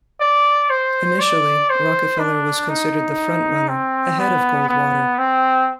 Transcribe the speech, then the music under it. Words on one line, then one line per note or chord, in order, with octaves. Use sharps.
Initially, Rockefeller was considered the front-runner, ahead of Goldwater.
D5
C5
D5
C5
D4
D#4
C4
B3
B3
C4